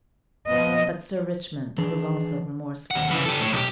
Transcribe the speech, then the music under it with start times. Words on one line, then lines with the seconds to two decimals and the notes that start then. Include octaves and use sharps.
But Sir Richmond was also remorseful.
0.48 F3 B3 D#5
1.78 E3 D4 G#4
2.91 D#2 F#5
3.11 C#3 E3
3.25 G4 A4
3.40 A2
3.52 B1 G4